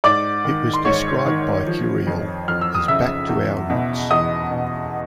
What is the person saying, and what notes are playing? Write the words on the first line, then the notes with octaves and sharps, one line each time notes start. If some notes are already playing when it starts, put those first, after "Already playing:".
It was described by Curiel as Back to our roots.
G#2 D5 D6
D#3
C6
G#2 C#5 C#6
D#3
F3
F2
F2 F6
E6
D#6
C#3 E5 E6
E2
B2
E2 D#5 D#6
B2